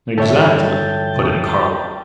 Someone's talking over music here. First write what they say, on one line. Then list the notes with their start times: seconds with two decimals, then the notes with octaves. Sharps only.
"Exactly," put in Carlyle.
0.18 G2 D3 E3 A4 C#5 E5 G5 A5